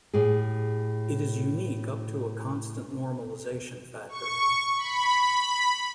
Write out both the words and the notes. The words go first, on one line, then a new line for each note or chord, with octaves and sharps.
It is unique up to a constant normalization factor.
A2 G4 G#4
C#6
B5